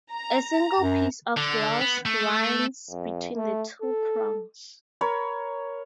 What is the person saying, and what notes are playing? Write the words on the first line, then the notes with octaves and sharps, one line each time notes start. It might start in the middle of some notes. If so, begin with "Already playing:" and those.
A single piece of floss runs between the two prongs.
A#5
F#2
D3
B3
A3
F2
A3
A4
A#4 C#5 B5